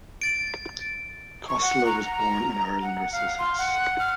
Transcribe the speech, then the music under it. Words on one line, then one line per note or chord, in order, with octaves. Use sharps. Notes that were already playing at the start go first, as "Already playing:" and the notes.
Costello was born in Ireland or Sussex.
A6 D7
C#6
F#5
A#5
F#5
F5
C6
F#5
F6